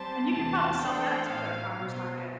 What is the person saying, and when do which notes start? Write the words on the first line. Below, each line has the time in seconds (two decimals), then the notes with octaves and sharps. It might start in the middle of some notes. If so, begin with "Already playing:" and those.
and you could probably sell that too at a farmer's market.
Already playing: G3 C4 G4 C5 A5
0.31 E2 C3 E3 A3 C4 A5
0.79 E3 A3 D4 A4 C5 G5
1.27 A2 E3 A3 F5
1.75 B2 G3 B3 F4 C5